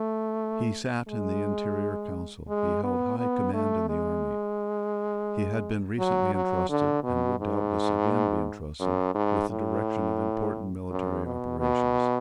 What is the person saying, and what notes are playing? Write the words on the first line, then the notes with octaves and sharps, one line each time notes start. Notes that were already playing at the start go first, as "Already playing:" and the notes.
He sate in the interior council; he held high command in the army; he had been recently entrusted, and would doubtless again be entrusted, with the direction of important military operations.
Already playing: A3
G#3
G#3
B3
B3
A3
G#3
F#3
F#3
D3
B2
G#2
F#2
G#2
A2
F#2
B2
B2